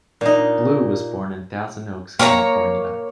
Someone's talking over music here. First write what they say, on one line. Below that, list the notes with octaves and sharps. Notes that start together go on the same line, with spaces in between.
Blue was born in Thousand Oaks, California.
A#2 D#4
A#3 C#5 G#5 A#5